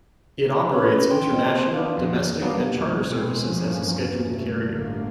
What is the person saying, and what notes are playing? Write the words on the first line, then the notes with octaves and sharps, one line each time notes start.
It operates international, domestic and charter services as a scheduled carrier.
C#4 B4 C#5 B5
G5 C6
C4 D#5
B3 D4 F4
F2
F#3 G3 A#3 B3 D4
F1 C#2 G3
B2 D3 G#3 B3 C4
E2 G2 F3 A#3 C#4
G2 C3 A3
G1 A2 D3 A#3